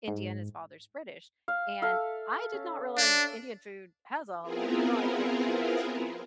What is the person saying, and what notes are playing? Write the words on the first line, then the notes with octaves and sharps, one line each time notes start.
Indian, his father's British, and I did not realize Indian food has a lot of kick to it too,
G#2
F5
A4 E5 F5
C#4
D4
B3 C4 E4 F4 G#4 A#4